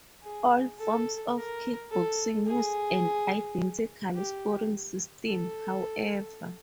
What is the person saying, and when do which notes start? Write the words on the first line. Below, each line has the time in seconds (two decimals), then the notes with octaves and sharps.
All forms of kickboxing use an identical scoring system, however.
0.23 G#4
0.79 A4
1.36 A#4
1.91 A4
2.48 G#4
4.15 G4
5.27 A4